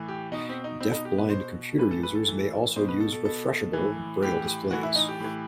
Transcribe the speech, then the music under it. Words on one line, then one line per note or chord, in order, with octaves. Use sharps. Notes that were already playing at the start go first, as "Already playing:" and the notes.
Deafblind computer users may also use refreshable braille displays.
Already playing: A2 E3
G4
B2 D#4
C4
D#4
B2 C4
D#4
G4
B4
B2 C5
A2 E3 B4
A4
B4
A4
A2 E3
B2 C5
B4
A4
A4
B2 A4
A2 E3
A2 E3 G4
A2 E3 F#4
E4
D#4
G4
A2 E3